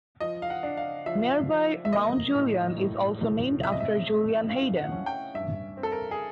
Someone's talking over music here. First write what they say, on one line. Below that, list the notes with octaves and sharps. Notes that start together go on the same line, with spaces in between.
Nearby Mount Julian is also named after Julian Hayden.
F3 D#5
F5
F#5
D4
F5
F3 E5
F3
E5
A#3 D#5
A2
A2
A2
C3 E5
D#5
E5
A3
C#4 F5
F#5
C#4
G5
G2 E5
C4
A4
A#4
G#4